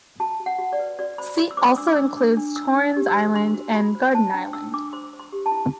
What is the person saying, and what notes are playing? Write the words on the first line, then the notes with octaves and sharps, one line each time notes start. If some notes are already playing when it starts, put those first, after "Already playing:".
The seat also includes Torrens Island and Garden Island.
F#4 A5
F#4
F#5
F#4
D5
B4
F#4 D5
C5 B5
F#4 C6
E6
C5 D6
D4 E6
D6
D4 E6
D4
D4
D4 E6
D4
G4
E6
C5
D4 C6
F#4
F#4 B5
C5
C5 A5
D4 G5
D4 E6
D4 D6
C5 C6
C5
C6
G4
A5
E4